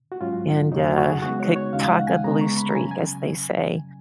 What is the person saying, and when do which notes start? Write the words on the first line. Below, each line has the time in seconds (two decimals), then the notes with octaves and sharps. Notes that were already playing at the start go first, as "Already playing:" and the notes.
and, uh, could talk a blue streak, as they say,
0.12 F#4
0.21 G#2 F#3 C#4 F4
0.72 F2 C#3 F#3 D#4
0.84 F#4
0.98 F#4
1.10 G#4
1.22 C#3 G#3 B3 D#4 F#4
1.40 C#5
1.56 C#5
1.73 D#2 C#3 G#3 D#4 F5
1.89 F#5
2.07 G#5
2.24 C#3 G#3 B3 A#5
2.41 C#6
2.57 B5
2.70 A#5
2.75 C#3 F#3 C#4 G#5
2.91 G#5